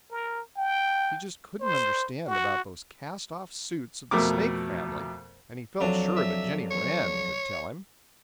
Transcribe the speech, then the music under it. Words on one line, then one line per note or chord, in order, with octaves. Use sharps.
He just couldn't understand about those cast-off suits of the Snake family, and he felt sure that Jenny Wren could tell him.
A#4
G5
C5
F#4
F2 B2 A3 A#4 D6
F2 F#3 D4
E5
C#5